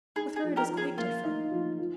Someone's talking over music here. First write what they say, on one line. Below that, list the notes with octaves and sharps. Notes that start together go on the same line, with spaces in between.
With her it is quite different.
D#4 G#4
G#4
F3
G4 A#4
F3
G#4
A#3 F4
D#4
F3
F3